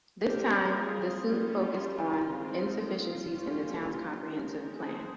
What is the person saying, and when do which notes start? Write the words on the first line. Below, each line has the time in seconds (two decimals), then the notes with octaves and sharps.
This time, the suit focused on insufficiencies in the town's comprehensive plan.
0.24 G3 C4 G4 A#4
0.74 F4 G#4
1.26 G3 C#4 F4
2.27 D#3 G#3 C4
2.78 F4
3.29 G3 A#3 C#4
3.79 F4
4.30 D#3 G#3 C#4 G4 A#4
4.81 G#4 C5